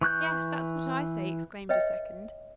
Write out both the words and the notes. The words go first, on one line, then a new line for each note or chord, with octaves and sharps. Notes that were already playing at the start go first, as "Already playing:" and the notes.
"Yes, that's what I say!" exclaimed a second.
E3 C#6 F#6 G6
B4 C#5 D#5 E5 G5